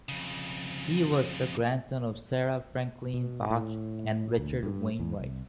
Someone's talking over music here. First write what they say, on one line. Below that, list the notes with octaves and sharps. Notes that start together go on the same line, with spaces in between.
He was the grandson of Sarah Franklin Bache and Richard Wainwright.
F2 C#3
B2
A2
D2
G2
E2
C2